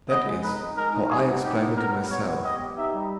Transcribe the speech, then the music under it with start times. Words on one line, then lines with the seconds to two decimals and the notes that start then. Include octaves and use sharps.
That is how I explain it to myself.
0.10 B3 D#5
0.26 G#3
0.43 D#4 B4
0.60 D#4
0.76 G#3 A#4
0.93 D#4
1.10 G3 G#4
1.27 B3
1.44 D#4 G4
1.60 B3
1.77 B3 A#4
1.94 G3
2.11 B3 C#5
2.27 B3
2.44 G4 D#5
2.60 G4
2.78 D#4 E5
2.94 G3